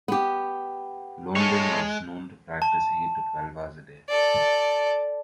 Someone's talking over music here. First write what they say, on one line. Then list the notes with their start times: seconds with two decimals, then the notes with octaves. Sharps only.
Londin was known to practice eight to twelve hours a day.
0.08 B3 G4
1.36 G#3 A4 C#5
2.62 A5
4.09 A4 D5